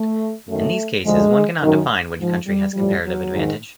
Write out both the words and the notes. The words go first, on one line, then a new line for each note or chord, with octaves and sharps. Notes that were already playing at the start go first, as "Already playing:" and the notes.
In these cases, one cannot define which country has comparative advantage.
Already playing: A3
F#2 D#3 A3
D2 D3 F3 G#3
F#2 D#3
G#2 F3
G3
A2 F3 G3
F#3
G#2 D#3